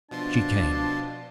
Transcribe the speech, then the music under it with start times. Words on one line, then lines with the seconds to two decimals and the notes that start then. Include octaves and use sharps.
She came.
0.11 B2 F3 D4 A5 C6